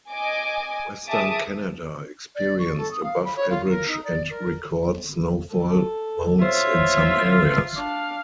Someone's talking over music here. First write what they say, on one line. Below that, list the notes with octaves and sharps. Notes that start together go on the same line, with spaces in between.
Western Canada experienced above average and record snowfall amounts in some areas.
D#5 G#5 D6
G#4 E5 A5 D6 D#6
D5
C#6
A4
D#6
F5
B5
C#5
F4
A#4
D#4
D5
A#4
A4
F4 C5 C#5 E5
D4 F5